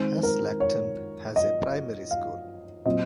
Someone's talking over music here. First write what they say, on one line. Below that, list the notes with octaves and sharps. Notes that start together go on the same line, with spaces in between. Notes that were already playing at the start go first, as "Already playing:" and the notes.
Aslacton has a primary school.
Already playing: D#3 G#3 C4 C5
A#4
C#5
D#5
F5
A#2 F#3 C4 D#5